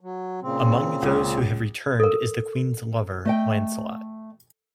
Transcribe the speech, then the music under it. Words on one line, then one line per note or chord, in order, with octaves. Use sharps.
Among those who have returned is the Queen's lover Lancelot.
F#3
A#2 C#3 C4
C#2
A4 A#4
A3 D#5 G5